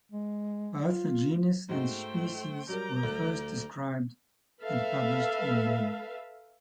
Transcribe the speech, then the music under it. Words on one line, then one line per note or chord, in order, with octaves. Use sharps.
Both the genus and species were first described and published in Mem.
G#3
F4
G#2 G#3 A3 F#4 C5 G5
F#3 G3 A#4 A#5 D6 G6
D2
A4 B4 E5 F5